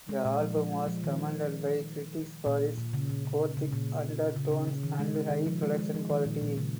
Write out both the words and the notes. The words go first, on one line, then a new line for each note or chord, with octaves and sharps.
The album was commended by critics for its gothic undertones and high production quality.
G#3
A#2
F3
F3
G#3
F3
D#3
A#2
A#2
C#3
A#2
C#3
C#3
A#2
C#3
C#3
C#3
D#3
G#3
G#3
D#3
F3
G#3
G#3
F3
D#3
A#2
A#2
C#3